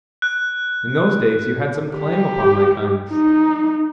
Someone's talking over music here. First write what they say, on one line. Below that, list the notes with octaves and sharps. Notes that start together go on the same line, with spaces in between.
In those days you had some claim upon my kindness.
F#6
G4
D#4